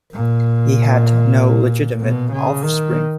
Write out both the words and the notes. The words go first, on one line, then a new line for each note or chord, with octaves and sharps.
He had no legitimate offspring.
A#2
B2
C#3
D#3